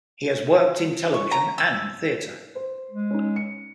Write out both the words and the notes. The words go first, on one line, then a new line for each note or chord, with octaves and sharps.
He has worked in television and theatre.
C#6
A#5
E6
C5
G#3
C#4 D#4
C#7